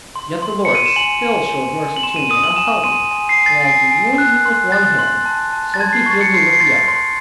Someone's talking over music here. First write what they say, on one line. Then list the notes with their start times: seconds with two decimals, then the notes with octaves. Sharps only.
Yet the Lord still showed mercy to me, and upheld me; and as He wounded me with one hand, so he healed me with the other.
0.15 C6
0.42 C6
0.65 C6 C#7
0.75 D#7
0.86 E7
0.96 G#5 F#7
1.22 G#5
1.49 G#5
1.76 G#5
1.96 F#7
2.03 C6 E7
2.16 D#7
2.30 D#6 D#7
2.44 F#7
2.57 G#5 E7
2.84 C6 D#7
3.11 G#5
3.29 C7
3.38 G#5
3.46 A6
3.65 G#5 C7
3.91 G#5
4.18 F#6
4.46 C6
4.72 F#6 A6
4.99 C6
5.26 A5
5.53 A5
5.74 A6
5.79 A5 G#6
5.93 C7
6.06 C#6 A6
6.21 C#7
6.34 C6 C7
6.50 C7
6.60 C6 A6
6.88 C6